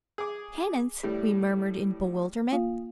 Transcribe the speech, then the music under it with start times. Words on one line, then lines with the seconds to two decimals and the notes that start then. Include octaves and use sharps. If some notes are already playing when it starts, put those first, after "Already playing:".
"Penance?" we murmured in bewilderment.
0.18 G#4 D6
1.03 A2 G3
2.52 A#3 F4 F5